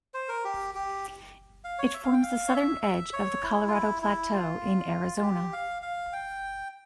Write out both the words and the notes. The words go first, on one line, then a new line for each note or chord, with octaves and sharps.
It forms the southern edge of the Colorado Plateau in Arizona.
C5
A#4
G4
G4
F5
C#5
E5
F5
G5
F5
C#5
E5
E5
C#5
E4
F4
E4
E4
F4
F4
G4
F5
F5
G5